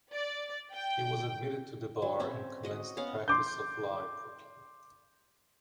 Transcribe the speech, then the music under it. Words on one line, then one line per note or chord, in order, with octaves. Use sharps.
He was admitted to the bar and commenced the practice of law in Brooklyn.
D5
G5
F#3
C4 C#4 E5
F#4 D#5 F#5
B3 C#4 F5 F#5
C6 D6 G6